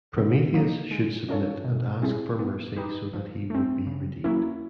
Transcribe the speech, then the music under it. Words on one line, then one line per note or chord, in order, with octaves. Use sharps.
Prometheus should submit and ask for mercy so that he would be redeemed.
C#3
F#3 A#3 D#4
G#3
C#4 F4 A4 C#5
B2
G3 C4 E4 G#4
B3
D#4 G4 B4
F3
A3 C4
C#3
F#3 A#3 C#4 E4